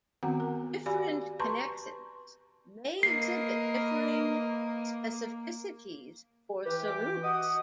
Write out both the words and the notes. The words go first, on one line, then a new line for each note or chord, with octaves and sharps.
Different connexins may exhibit differing specificities for solutes.
D#3 B3 C4 F#4 F#5 A#5
A#4
F#4 G4 D5 F5 G#5 B5
B4 A5 A#5 C6 C#6
A#3 A#4 B4 D#5 C7
E3 G4 B4
D6
F#4 D#5 F#5 D#6